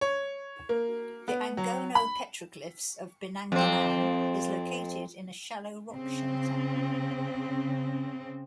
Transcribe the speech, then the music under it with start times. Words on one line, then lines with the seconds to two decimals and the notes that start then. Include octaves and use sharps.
The Angono Petroglyphs of Binangonan is located in a shallow rock shelter.
0.01 C#5
0.69 A#3
1.28 B3
1.57 F#3
1.95 B5
3.52 F2 C4
5.92 C#3 C4